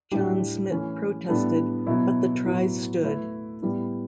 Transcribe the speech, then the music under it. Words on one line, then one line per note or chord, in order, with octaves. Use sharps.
John Smit protested but the try stood.
A2 G3 D4 G4
E3 A3 C#4
A2 G3 B3 D4 A4
B2 F#3 B3 E4
A2 F#3 B3
A3 E4 B4
A2 G3 B3